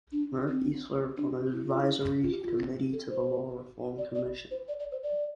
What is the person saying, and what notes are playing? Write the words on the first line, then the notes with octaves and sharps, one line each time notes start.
Murphy served on an advisory committee to the Law Reform Commission.
D4
C4
D4
E4
F4
E4
F4
G4
F4
A4
C5
D5
D5
C5
D5
D5
C5
D5